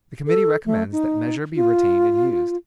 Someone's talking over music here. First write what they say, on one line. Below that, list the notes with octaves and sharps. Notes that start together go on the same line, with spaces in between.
The Committee recommends that Measure be retained and used.
A4
A3
D#4
F4